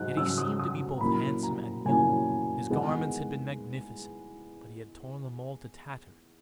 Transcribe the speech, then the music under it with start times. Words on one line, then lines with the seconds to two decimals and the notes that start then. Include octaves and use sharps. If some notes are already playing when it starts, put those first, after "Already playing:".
Yet he seemed to be both handsome and young: his garments had been magnificent, but he had torn them all to tatters.
Already playing: G#2 F#3 F#6
0.16 G#2 F#3 C#4 E6
0.38 D#6
0.59 D#6
0.98 A#5
1.01 A#2 F#3 A#3 C#4 E4 B5
1.43 A#5
1.85 A#2 F#3 A#3 C#4 E4 G#5
2.70 E2 D#3 G#3 B3